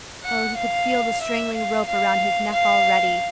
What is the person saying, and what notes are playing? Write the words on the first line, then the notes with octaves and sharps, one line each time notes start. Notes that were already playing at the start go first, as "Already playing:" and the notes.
Oh, he could feel the strangling rope around his neck already!
F#5
F5
E5
F5
F5
F5